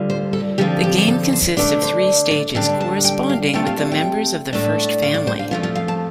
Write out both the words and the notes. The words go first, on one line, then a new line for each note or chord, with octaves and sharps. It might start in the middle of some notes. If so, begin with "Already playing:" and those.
The game consists of three stages corresponding with the members of the First Family.
Already playing: D2 D3 G3 F4
C5
A4
D3 F3 C4 F4 G4
G4
G4
A4
C5
D3 A3 D4 D5
C5
D5
D3 G3 D4 G5
A5
G5
F5
F2 C3 A3 F4 G5
F5
D5
G5
A2 A3 D4
F5
D5
C5
F5
F2 F3 A3 F4
F4
F5
A5